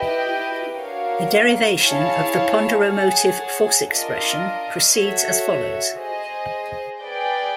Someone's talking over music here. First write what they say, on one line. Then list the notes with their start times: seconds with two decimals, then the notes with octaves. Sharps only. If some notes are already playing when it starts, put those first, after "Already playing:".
The derivation of the ponderomotive force expression proceeds as follows.
Already playing: E4 G4 B4 D#5 G5
0.76 D4 F#4 A#4 C#5 F5
1.81 E4 G#4 C#5 F5 A5
2.85 G#4 C#5 F#5 A5
3.89 D4 F4 A#4 D#5
4.94 F#4 A4 C#5 E5
5.98 G#4 C5 D#5
7.02 G#4 B4 D5 G5